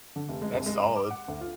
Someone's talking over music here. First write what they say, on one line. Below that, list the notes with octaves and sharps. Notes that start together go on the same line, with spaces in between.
that's solid.
D3
F1
G#3
C2
G#3
E7
D6
F#5
D2
F4